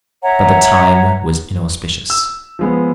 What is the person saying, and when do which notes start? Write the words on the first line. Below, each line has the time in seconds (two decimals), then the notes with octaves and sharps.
But the time was inauspicious.
0.23 C#5 E5 F#5 A#5
2.10 E6
2.59 F3 G#3 B3